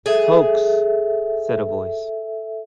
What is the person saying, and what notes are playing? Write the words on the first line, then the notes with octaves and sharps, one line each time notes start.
"Hoax," said a Voice.
G#4 A4 E5